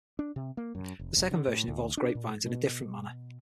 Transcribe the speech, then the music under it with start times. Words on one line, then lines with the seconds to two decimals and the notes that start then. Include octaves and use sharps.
The second version involves grape vines in a different manner.
0.19 D4
0.36 C3
0.57 A#3
0.75 F#2
0.99 F1
1.17 F1
1.31 D3
1.48 A2
1.68 D2
1.97 D4
2.15 A#2
2.46 B2